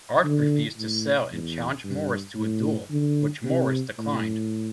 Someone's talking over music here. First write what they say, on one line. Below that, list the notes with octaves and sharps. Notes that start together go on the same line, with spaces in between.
Art refused to sell and challenged Morris to a duel, which Morris declined.
D3
A2
E2
G2
A2
D3
C3
A2